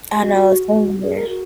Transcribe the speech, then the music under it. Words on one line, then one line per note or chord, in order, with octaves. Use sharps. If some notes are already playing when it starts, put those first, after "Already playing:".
I know it's some in there.
G#4
F#4
F#4
G#4
A#4
F#4